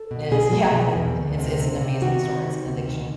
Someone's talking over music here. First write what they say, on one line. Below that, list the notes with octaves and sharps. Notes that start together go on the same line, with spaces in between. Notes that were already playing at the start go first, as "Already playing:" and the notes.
Is yeah, it's it's it's an amazing store, it's an addiction.
Already playing: A4
B2
B2 G#4
B2
B2
E2
D2
C3
C3
C3
D#3 F#4
C3
C3
D2
D#3